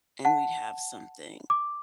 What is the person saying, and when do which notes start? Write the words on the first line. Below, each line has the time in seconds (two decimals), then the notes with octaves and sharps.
and we'd have something,
0.25 F#5 A5
1.50 D6